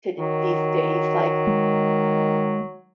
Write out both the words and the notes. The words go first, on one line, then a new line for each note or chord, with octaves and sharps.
to d these days? Like,
D#3 F#3
G#3